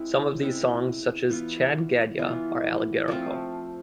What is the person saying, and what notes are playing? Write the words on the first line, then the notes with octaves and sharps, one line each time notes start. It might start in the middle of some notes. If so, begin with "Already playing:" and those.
Some of these songs, such as "Chad Gadya" are allegorical.
Already playing: G#3 C4 E4
G#3 C4 E4
E3 B3 F4
E3 B3 F4
F3 A3 C4 F4